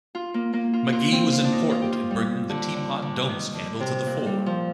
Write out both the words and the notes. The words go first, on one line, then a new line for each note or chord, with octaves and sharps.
Magee was important in bringing the Teapot Dome Scandal to the fore.
F4
A#3
A#3
F4
F4
C4
F4
D4
D#4
F4
G4
F4
G3
D3
D3
D3
D#3
D3
C3
A#2
G3
F3